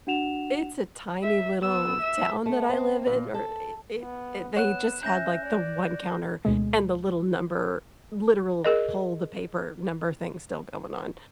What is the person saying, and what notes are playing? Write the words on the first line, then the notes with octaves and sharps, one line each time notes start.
It's a tiny little town that I live in or i it it they just had, like, the one counter and the little number, literal pull-the-paper-number thing still going on.
D4 F#4 F#5 E7 F7
E5
B3 E6
E5
A3
C4
A#2
A4
B3
B3 C#5 F#5 F#6 E7
C#4 E5 G6 A#6
D5
D2 B2 G#3
G#4 A#4 D#5